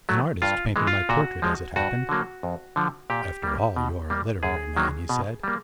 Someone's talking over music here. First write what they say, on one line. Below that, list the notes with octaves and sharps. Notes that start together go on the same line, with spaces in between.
An artist painted my portrait as it happened: "After all, you are a literary man," he said.
F#3 A3
G2 F4
E3 G#3
F4
A#2 F#4
F3 G#3
G2 F#4
D3 F#3 A#3
F2
D3 F3
A#2 G4
G3 A#3
B2
G3 A#3
F#2 G#4
D#3 F#3 A#3
B2
G3 A#3